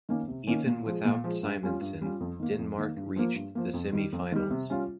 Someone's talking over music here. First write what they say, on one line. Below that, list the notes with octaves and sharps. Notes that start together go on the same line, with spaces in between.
Even without Simonsen, Denmark reached the semi-finals.
D#3 A#3 C#4
C3
D#3 A#3 C#4
A#2
F3 G#3
A#2
F3 G#3
G2
G3 C#4 F4
G2
G3 C#4 F4
F2
D#3 A#3
F2
D#3 A#3
G2
F3 A#3
G2
F3 A#3
F2
D#3 G3
F2
D#3 G3
C3
G3 C#4 F4